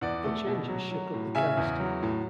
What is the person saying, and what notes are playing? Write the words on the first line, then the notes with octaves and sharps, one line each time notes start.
The changes shook up the cast.
E2 D5 F#5
A3
B2
F#3
F#3
A2
C#3 E5 G#5
E2
F#3
A2